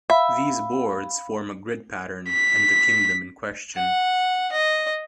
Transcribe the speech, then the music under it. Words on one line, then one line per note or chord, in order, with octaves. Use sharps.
These boards form a grid pattern, and the kingdom in question.
E5 F5 B5
B6
F#5
D#5